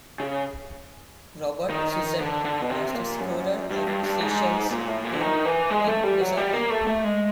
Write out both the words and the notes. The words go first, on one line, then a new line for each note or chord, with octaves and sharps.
Robert Suzette was the scorer of Seychelles' goal in Lusaka.
C#3
D#3
D3
D3
B2
C3
A#2
F#2
G2
G2
G2
G#2
A#2
A2
A#2
D3
D#3
E3
G#3
A3
G3
F#3
G3
A#3
A3
A3
G#3